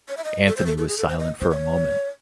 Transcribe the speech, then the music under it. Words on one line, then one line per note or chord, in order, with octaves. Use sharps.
Anthony was silent for a moment.
C#5
E5
D#5
A4
C5
A4
A4
G#4
A4
C5
D#5
C5
C#5